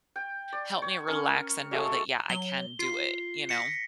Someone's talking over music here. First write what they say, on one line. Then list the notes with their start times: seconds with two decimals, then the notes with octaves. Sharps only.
help me relax and know that, yeah, I can do it. You know?
0.16 G5
0.53 D5
0.82 C#5
1.07 C#4 A#4 D#6
1.71 F#3 G#3 A3 A4
2.30 F#3 G7
2.79 F4 C7
3.49 A#6 B6 C#7